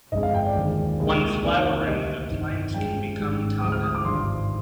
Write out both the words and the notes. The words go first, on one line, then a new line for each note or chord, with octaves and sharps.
When flowering, the plant can become top heavy.
G1 F2 D3 G#3 D#5
F5
G5
D5
D#2 D3 F3 G#3
C2 A#2 G#3 D4
F2 D#3 A#3 D4 D5
D2 C3 G3 C4 D#5
G1 F2 D#3
G2 F3 G#3 D4 G5
G#1 G#2 G3
D2 C3 F3 G#3 D#6
F6
D#6
D6
G#1 G2 F3 C6